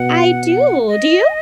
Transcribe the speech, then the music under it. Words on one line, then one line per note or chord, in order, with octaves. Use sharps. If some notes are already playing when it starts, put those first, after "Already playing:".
I do. Do you?
Already playing: B2 F#5
D#5